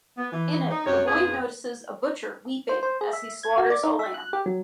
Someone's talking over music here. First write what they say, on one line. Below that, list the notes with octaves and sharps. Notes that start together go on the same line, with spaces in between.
In it a boy notices a butcher weeping as he slaughters a lamb.
B3
E3
D#4
F#2 C3 C#5
F2 A#2 B3 G#4
C5
C5
G#4
E5
G#6
F#4
D5
D#4
E5
F#6
G4
F#3